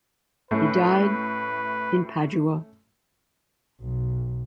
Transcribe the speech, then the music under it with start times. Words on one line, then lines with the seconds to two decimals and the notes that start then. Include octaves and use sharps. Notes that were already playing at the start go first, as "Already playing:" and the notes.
He died in Padua.
0.51 A2 A3 C#4 B4
3.81 B1